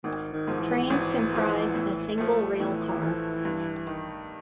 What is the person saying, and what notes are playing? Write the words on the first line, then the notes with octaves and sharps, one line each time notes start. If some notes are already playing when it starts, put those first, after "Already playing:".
Trains comprise a single railcar.
G#1 D#3
D#3
G#2 F3
E3
G#1
G#2 F3
A2
F3 A3
A2 E3
F3 A3
G2
D#3